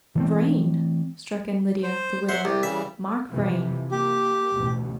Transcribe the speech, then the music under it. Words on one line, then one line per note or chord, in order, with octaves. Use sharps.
"Vrain!" struck in Lydia, the widow, "Mark Vrain."
E3 A3 C4
C5
C5 E5 F#5 C6
C2 G4
C#3 E3 G3 E5
F2 C3 E3
A#3 G4
A1 D2 B2